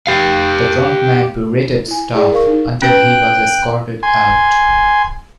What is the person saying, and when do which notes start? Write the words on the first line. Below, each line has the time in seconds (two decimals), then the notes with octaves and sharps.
The drunk man berated staff until he was escorted out.
0.07 G4 F5
1.88 E4 G#5
2.14 E4 G#4 D5 G5
2.32 A#4 F5 C#6
2.47 D#4
2.82 C#4 B4 G5 F#6
4.03 G#5 C6